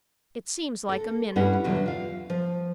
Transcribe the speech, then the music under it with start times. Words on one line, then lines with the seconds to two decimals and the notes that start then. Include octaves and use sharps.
It seems like a minute.
0.89 A4 A#4
1.36 G2 B3 C#4 E4 G4 F#5
1.64 E2 B2 D3 F#3
1.86 F4 F5
2.30 F3